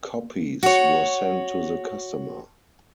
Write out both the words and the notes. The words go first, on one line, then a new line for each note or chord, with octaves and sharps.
Copies were sent to the customer.
F#4 C#5